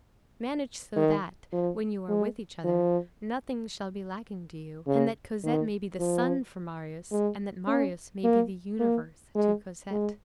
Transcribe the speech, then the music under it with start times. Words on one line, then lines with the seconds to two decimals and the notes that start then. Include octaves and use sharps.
Manage so that, when you are with each other, nothing shall be lacking to you, and that Cosette may be the sun for Marius, and that Marius may be the universe to Cosette.
0.96 D#3
1.52 F3
2.08 G#3
2.64 F3
4.87 C#3
5.44 D#3
5.99 F3
7.11 G#3
7.67 C#4
8.24 A#3
8.79 A#3
9.35 G#3
9.91 G#3